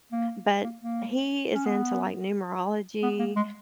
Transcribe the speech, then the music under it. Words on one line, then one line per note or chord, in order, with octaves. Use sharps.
But he is into, like, numerology
A#3
A#3
A#3
C#4
B3
B3
A#3
G#3